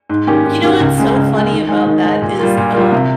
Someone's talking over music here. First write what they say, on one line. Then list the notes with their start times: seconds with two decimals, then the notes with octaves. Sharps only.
You know what's so funny about that is, um,
0.09 G#2
0.27 D#3 A#3 C#4 G4
0.45 G#2
0.63 D#3 A#3 C#4 G4
0.80 C#2
0.98 C#3 G#3
1.16 C#2
1.33 C#3 G#3
1.51 D#3
1.68 G#3 D#4
1.86 D#3
2.04 G#3 D#4
2.22 A#2
2.39 G3 A#3 F4 A#4
2.57 A#2
2.74 G3 A#3 F4 A#4
2.92 C3